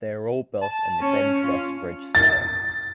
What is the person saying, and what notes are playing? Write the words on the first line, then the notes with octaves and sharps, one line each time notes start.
They are all built in the same truss bridge style.
A5
C#4 C#5
F4
A6